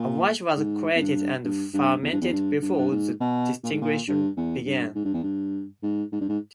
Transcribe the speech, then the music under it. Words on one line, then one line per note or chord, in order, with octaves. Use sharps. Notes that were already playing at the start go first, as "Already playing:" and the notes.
A wash was created and fermented before the distillation began.
Already playing: A#2
G#2
E2
G2
G2
G2
E2
G2
E2
G2
G2
G2
G#2
B2
A#2
G#2
A#2
G2
E2
G2
G#2
G2
E2
G2
G#2
G#2
G2
G#2